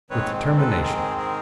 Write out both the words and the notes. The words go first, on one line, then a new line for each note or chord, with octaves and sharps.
'With determination.
G#2 D#3 G#3 C4 B4 C#5
A4 B4
G#4 A#4
G#4 A#4